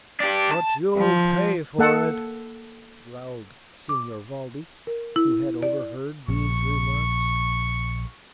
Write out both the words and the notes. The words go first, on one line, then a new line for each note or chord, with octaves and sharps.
"But you'll pay for it!" growled Signor Valdi, who had overheard these remarks.
D4 G4
A5
F3
A#3 A4 F#5
D6
A#4
E4
D5
A#1 C#6